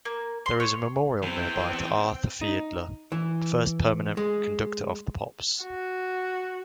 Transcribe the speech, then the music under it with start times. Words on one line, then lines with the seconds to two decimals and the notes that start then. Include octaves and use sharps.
There is a memorial nearby to Arthur Fiedler, first permanent conductor of the Pops.
0.05 A#3
0.46 C6
0.60 C#5
1.22 E2 E3 C4 G5
2.41 D#4
3.12 E3
4.17 G#3
5.63 F#4